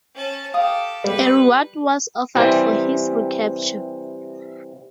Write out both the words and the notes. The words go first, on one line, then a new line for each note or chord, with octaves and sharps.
A reward was offered for his recapture.
C#4 A5
G4 A4 F5 D#6
G3 B4
C3 E3 G3 C4